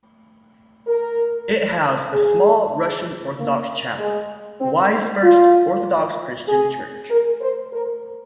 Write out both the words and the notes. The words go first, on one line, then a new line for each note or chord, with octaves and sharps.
It housed a small Russian Orthodox chapel, Hawaii's first Orthodox Christian church.
A#4
G#4
A#3
G#3
C4
D#4
F4
G#4
A#4
C5
A#4